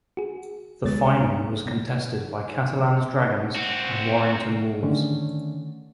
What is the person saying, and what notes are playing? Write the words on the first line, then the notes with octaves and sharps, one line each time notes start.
The final was contested by Catalans Dragons and Warrington Wolves.
F#4 G#4
D2 G#3 B3 C#5 A6
B2
C4 F#4
D3 D#3 A3 C#4